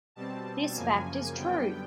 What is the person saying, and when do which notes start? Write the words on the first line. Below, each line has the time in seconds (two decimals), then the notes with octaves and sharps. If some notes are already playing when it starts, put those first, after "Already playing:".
This fact is truth!
0.16 B2 G3 C4 A5
0.75 F#2 C#3 F3 A#3 G#5
1.35 F#2 D3 G3 B3 G5